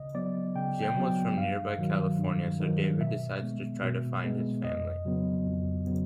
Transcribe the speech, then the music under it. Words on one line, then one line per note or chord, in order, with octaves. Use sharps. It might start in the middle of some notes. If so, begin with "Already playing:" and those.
Jim was from nearby California, so David decides to try to find his family.
Already playing: C#3 D#5
F#3 B3 D5
C#3 G5
G5
F#3 B3
G2 F5
D#3 F#3
G2
D#3 F#3
B2 E5
G#3 B3
B2
G#3 B3
F2 D#5
C#3 F#3 B3
F2
C#3 F#3 B3